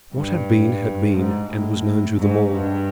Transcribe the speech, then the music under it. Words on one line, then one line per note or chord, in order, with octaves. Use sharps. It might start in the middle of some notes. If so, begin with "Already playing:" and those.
What had been had been, and was known to them all.
G2
G#2
A2
G#2
G2